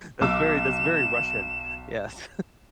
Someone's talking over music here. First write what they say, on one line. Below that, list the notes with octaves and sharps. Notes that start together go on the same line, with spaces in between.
that's very that's very Russian, yes.
B1 D6 E6 E7